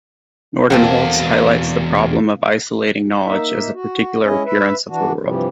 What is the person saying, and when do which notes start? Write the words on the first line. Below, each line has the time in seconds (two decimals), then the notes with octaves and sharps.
Nordenholz highlights the problem of isolating knowledge as a particular appearance of the world.
0.70 E2 A#3 C4 F#4 A4
3.25 A#3 D#4 E5
3.73 F#4
4.23 G#3 C#4 E4 D#5
4.45 B4 E5
4.89 E3 D4 F#4
5.20 G2 C3 E3 F3 G3